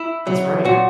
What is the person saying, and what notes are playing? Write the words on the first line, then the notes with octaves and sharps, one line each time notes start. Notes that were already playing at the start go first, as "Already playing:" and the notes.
That's right.
Already playing: E4
F#3
A#2 F#4